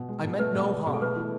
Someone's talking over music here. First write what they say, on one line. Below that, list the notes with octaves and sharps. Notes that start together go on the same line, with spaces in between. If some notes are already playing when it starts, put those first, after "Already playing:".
I meant no harm.
Already playing: B2
G#3
B2
A3 B4
B2
G#3
B2 G#4
A4
A3 B4
E3